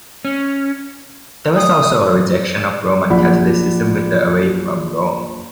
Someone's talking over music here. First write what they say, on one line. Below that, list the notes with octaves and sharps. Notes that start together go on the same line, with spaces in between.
There was also a rejection of Roman Catholicism with the Away from Rome!
C#4
D#6
A#1 F3 D5 F#5 B5